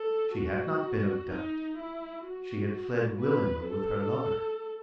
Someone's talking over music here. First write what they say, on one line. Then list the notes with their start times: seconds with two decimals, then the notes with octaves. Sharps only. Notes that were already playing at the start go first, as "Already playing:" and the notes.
She had not been abducted--she had fled willingly with her lover.
Already playing: A4
0.35 F#4
1.30 D#4
1.77 E4
2.25 F#4
3.19 B4
3.67 A4